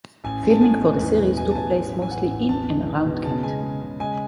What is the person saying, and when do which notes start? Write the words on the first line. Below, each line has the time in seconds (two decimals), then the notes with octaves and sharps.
Filming for the series took place mostly in and around Kent.
0.24 A1 G#5
0.43 A1
0.50 A5
0.61 A2 G#5
0.81 G#3
0.99 E2
1.18 B2
1.36 E2 G#5
1.51 A5
1.55 E2 G#5
1.74 A1
1.93 E3
2.02 G#5
2.11 A1 F#5
2.31 A1
2.49 E2 A5
2.68 G#3
2.87 E2
3.06 B2
3.24 C#3 A5
3.43 G#3 G#5
3.62 G#3
3.82 C#3
4.00 G#3 G#5